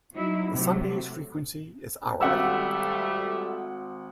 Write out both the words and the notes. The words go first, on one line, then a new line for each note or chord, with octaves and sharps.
The Sundays frequency is hourly.
F#3 D#4 E4
A2 C3 F#3 A3
G#1 G3 A3 F#5 E6